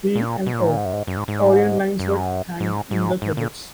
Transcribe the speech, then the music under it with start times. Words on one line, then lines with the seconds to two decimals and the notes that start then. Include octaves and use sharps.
P and O - Orient Lines were thanked in the credits.
0.16 A#2
0.46 B2
0.53 A#2
0.61 G#2
0.69 A#2
0.77 G#2
0.85 F#2
0.93 G#2
1.07 F#2
1.17 G#2
1.28 G#2
1.99 F#2
2.60 G#2
2.91 G#2
3.22 G#2
3.37 A#2